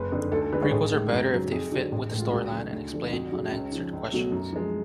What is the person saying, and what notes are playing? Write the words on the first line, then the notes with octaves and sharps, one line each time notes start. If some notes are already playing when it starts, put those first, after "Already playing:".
Prequels are better if they fit with the storyline and explain unanswered questions.
Already playing: F#1 B4
F2 D3
D2 A4
A4
D3 G#3 B4
C#5
A1 G#4
A2 G#3
F#2
C#3 F#3
F2 G#4
D3 F#3
A1 G#4
A2 G#3
F4
C#2 F#4
C#3 F#3 A3
D2
D3 F3 A3
F4
F2 F#4
C#3 F#3
C#2 C#4
C#3 F3
C#2
B2 F#3 A3
F#2
F3 G#3